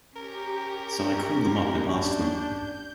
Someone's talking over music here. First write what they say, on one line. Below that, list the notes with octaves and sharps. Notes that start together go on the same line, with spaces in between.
So I called them up and asked them.
C#4 G4 A#4
D4 G6